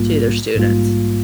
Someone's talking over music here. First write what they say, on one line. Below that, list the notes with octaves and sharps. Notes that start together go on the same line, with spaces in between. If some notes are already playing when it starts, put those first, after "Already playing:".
to their students.
Already playing: A#1 G#2 G3 A#3 F4
A#1 G#2 G3 A#3 F4